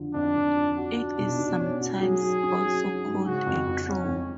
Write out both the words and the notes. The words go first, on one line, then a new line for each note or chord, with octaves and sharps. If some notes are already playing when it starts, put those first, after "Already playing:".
It is sometimes also called a "throw".
Already playing: F2 D3 F3
F2 D4
F2
F3
D4 F#4
F#4
B2
B2
C#4
F#4
F#3 G#4
F#3
C#4
F#3
F#3
G#2
C#3 F#4
F2
F2
F2 C#4
F2